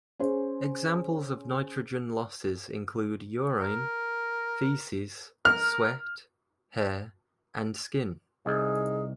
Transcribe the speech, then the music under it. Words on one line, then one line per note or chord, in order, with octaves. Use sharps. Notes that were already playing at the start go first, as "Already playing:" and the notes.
Examples of nitrogen losses include urine, feces, sweat, hair, and skin.
C#4 G#4 C5
A#4
A#4 F6
C2 D#4 G#4